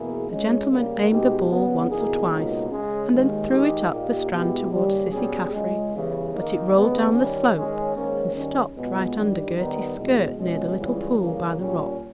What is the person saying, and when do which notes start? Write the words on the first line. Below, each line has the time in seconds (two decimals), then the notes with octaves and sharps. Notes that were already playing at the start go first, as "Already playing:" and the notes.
The gentleman aimed the ball once or twice and then threw it up the strand towards Cissy Caffrey but it rolled down the slope and stopped right under Gerty's skirt near the little pool by the rock.
Already playing: E2 B2 A#3 E4 G#4
0.28 C#2 C#3 G#3 C#4
0.69 C#3 G3 A#3
1.09 B2 G#3 D#4 G4
1.49 C#3 G3 B3
1.90 E2 B2 A#3 D#4 G#4
2.29 C#2 B2 A#3 D#4
2.70 C#3 G#3 C#4
3.10 D#2 D#3 G#3
3.50 D#3 G#3 D#4 G4
3.90 A#2 A#3 D#4 G4
4.31 B2 G#3 B3 E4 G4
4.72 D#2 C#3 G3
5.12 B2 G3 C#4 G#4
5.52 C#2 C#3 G#3
5.93 E2 C#3 E3 G3
6.33 D#3 A#3 D#4
6.73 D#2 C#3 G#3 B3
7.14 D#3 G3 C#4
7.54 D#3 G#3 C#4
7.94 G#2 D#3 A#3 C#4
8.34 D#3 G3 C#4
8.75 C#2 B2 G#3 B3
9.14 G2 D#3 G3
9.55 D#3 G3 B3 D#4
9.95 E2 B2 G#3
10.35 C#2 B2 G#3 C#4
10.76 C#2 C#3 E3 G3
11.17 D#2 C#3 E3 G3 A#3
11.57 A#2 G3 C#4